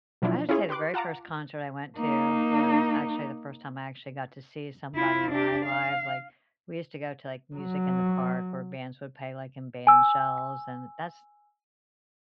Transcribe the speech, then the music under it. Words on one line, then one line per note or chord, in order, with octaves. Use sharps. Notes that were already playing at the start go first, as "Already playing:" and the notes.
I have to say the very first concert I went to was actually the first time I actually got to see somebody live live, like, we used to go to, like, music in the park where bands would pay, like, in band shells, and that's,
B2 F3 F#3 D4 E4 F4
C#4 E4 F4 G#4 C#5
G4 B4 C6 D6 F#6
F4 F#5 A5 A#5 D6
A#3 D#4
E4 F4
D4 G4
F5
F#3
G#5 E6